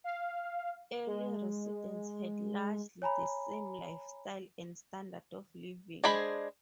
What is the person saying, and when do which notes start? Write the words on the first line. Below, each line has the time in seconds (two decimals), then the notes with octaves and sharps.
Early residents had largely the same lifestyle and standard of living.
0.04 F5
1.07 G#3
3.02 C#5 G#5 A#5 B5
6.04 G#3 D4 G#4 C5 B5